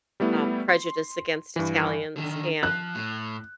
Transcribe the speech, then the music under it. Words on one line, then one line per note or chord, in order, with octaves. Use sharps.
um, prejudice against Italians and
G3 A3 B3 E4
C6
G2 E3
D3 D#3
F3 F#6
A2